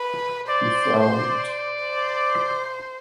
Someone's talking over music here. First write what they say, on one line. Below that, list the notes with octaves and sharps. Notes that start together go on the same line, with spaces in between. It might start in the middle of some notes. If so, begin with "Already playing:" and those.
He frowned.
Already playing: B4
C5 D5
D5
C5